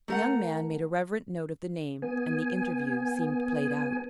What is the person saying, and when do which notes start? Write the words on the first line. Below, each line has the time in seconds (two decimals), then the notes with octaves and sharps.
The young man made a reverent note of the name, and the interview seemed played out.
0.08 A3 A#4 F#5
2.02 B3 G#5